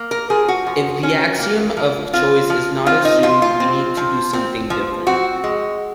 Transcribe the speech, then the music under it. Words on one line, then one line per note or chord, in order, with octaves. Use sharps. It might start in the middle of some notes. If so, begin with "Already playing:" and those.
If the axiom of choice is not assumed we need to do something different.
Already playing: A#3
A#4
F3 G#4
F#4
F3
C#4
A#3
F3
C4 F4
F3
C4 F4
D#4
F3 F4
F4
C4
F3
C4
F3
C4 F#4
G#3